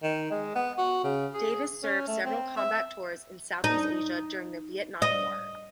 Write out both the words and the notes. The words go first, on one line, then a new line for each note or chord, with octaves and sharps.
Davis served several combat tours in Southeast Asia during the Vietnam War.
D#3
G#3
B3
F#4
C#3
G#4
C#4
A3
C4
E5
D#4
D#5